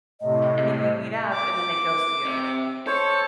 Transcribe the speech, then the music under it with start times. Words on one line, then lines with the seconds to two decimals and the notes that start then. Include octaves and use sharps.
and then you meet up, and then they ghost you,
0.20 A2 C3 D#5
1.33 D6
2.26 C3
2.87 A4 C5 C#5